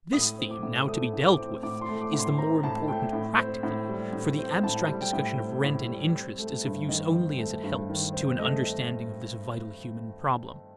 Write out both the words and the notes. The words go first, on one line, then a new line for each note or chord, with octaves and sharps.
This theme now to be dealt with is the more important practically, for the abstract discussion of rent and interest is of use only as it helps to an understanding of this vital human problem.
A2 D#6
C4
D6
A2
A3 D#6
A2
D6
C4
A2 D6
C6
A3
D6
A2
C6
C4 A#5
A2 A5
A3 G5
A2
C4
A2
G3
A2
C4
A2 A5
G3
G5
A2
C4
A2
G3
C4
A3
G2
D#3 D#5
C4
A3
G2
D#3
C4
A3 D#5